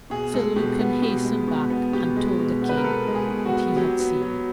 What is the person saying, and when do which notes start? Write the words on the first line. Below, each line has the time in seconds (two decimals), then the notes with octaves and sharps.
Sir Lucan hastened back, and told the King what he had seen.
0.10 B2 G#4
0.34 G#3 A4
0.56 B2 G4
0.79 B3
1.02 B2 G4
1.25 G#3
1.48 B2
1.70 B3
1.93 B2 G4
2.16 G#3
2.40 B2
2.62 B3
2.69 B4
2.77 A#4
2.84 B2 A4
3.08 G#3
3.15 G#4
3.30 B2
3.46 F#4
3.54 B3
3.76 F#3 G4
3.99 B3
4.22 F#3